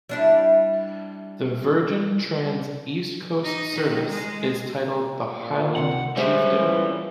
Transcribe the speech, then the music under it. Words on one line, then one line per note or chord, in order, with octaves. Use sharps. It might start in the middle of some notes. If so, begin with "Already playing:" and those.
The Virgin Trains East Coast service is titled 'The Highland Chieftain'.
G3 D4 E4
D#4
D#3
G#3
A#2
C#2 C3 F#5
G3 G#3 C#4 C5 E5
E2 A#2 E3